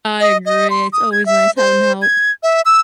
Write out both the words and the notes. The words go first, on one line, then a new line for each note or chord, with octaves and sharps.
I agree, it's always nice having help.
D#5
D#5
C6
D#6
G#6
E5
C5
G#6
E5
E6